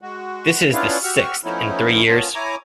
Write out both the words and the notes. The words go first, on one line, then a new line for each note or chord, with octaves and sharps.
This is the sixth in three years.
G#3 F#4
B3 C#4 D4 E4 F4 F5
F#4 G4 C#6 E6 F6
F3 A3 B3 C#4 D#4 E4
B3 C#4 F4 A5
E4 C#5 G#5 A#5 D6